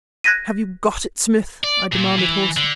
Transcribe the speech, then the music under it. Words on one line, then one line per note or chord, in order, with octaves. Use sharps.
"Have you got it, Smith?" I demanded hoarsely.
F#6 G#6 A#6 B6 D#7
D5
A#2
E3
D3